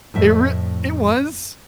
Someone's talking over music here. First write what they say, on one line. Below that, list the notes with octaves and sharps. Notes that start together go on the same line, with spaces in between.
It rea it was
F2 A2 E5